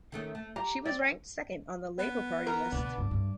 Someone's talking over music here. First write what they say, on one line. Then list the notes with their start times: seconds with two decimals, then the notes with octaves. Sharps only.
She was ranked second on the Labour Party list.
0.12 D#3 A3 C#4
0.35 A3
0.56 G4 A#5
0.85 C4 D5
1.98 B3
2.46 A#4 A#5
2.72 B2 D3 D4
2.98 G2
3.11 G2